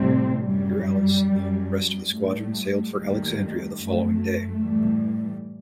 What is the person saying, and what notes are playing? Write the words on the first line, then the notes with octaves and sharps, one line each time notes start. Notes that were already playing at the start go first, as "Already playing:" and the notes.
"Euryalus" and the rest of the squadron sailed for Alexandria the following day.
Already playing: A2 C3 G3 C4
F#2 F#3 G3
F#2 F#3
A2 G3 A3
D#2 D#3 G3 A3
F#2 F#3 A3
A2 E3 G3